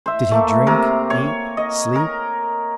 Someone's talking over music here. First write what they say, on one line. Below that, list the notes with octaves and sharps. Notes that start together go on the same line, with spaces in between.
Did he drink, eat, sleep?
C5 E5
A3 A#3
C3 A#4
C#5
D#5
A#4